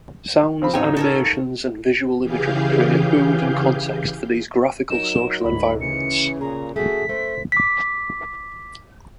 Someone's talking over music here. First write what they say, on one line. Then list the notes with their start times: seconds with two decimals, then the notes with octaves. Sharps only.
Sounds, animations, and visual imagery create mood and context for these graphical social environments.
0.62 F3 C4 B5
0.74 A1 C4 D#4 C#5 G5
0.97 A4 A#4 C#5
2.21 C#3 E3 G4 G#4 F5 G6
4.90 F#3 D#4 A#4 E7
5.44 D2 G#2 B5
5.81 C#3 E3 C#7
6.41 A#2 G#4 A#5
6.76 A3 F#4 G#4 B6
7.09 A3 C5
7.52 D6 B6